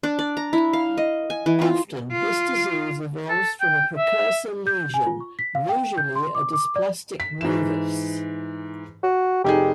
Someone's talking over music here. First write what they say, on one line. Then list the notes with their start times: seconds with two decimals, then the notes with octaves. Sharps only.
Often, this disease evolves from a precursor lesion, usually a dysplastic nevus.
0.03 D4
0.19 D5
0.37 A#5
0.53 E4
0.73 F5
0.98 D#5
1.30 G#5
1.46 E3
1.61 F4
2.12 F4
3.29 A4
3.61 G5
3.97 E5
4.67 G6
4.94 G#5
5.07 F4
5.20 C#6
5.39 B6
5.55 F5
5.69 G5
5.98 G6
6.15 C6
6.35 D6
6.53 D6
6.76 D5
7.20 B6
7.41 G#2 E3 E7
9.03 F#4
9.44 F1 D#4 G4 G#4